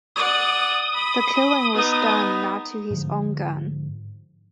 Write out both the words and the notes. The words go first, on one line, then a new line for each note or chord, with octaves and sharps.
The killing was done not to his own gun.
D5 F#5 D#6
B5
B3 D#4
G#2 D3 F3